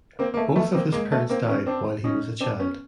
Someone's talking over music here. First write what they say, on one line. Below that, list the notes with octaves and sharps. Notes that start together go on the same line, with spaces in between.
Both of his parents died while he was a child.
A#3 C4
A#3
A3 B3
A3 B3
A#3 C4
G#3 A#3
A3 B3
A#3 C4
B3 C#4
C4 D4
C#4 D#4
C4 D4
B3 C#4